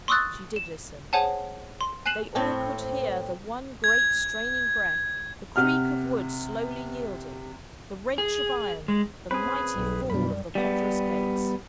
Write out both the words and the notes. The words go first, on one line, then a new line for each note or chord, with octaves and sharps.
She did listen; they all could hear the one great straining breath; the creak of wood slowly yielding; the wrench of iron; the mighty fall of the ponderous gates.
C6 C#6 D#6 E6 F#6 A6
E7
G#4 C5 C#5 F#5 G#5 A5
C6
G#5 F#6 C7 E7 F#7
A2 C4 C#5
G#6
C3 F#5 F6
G#4
G#3
C4 C#4 G#4 B4 C5 F5
B1 G3
F#2 B2 G3 D4 B5
G3 B3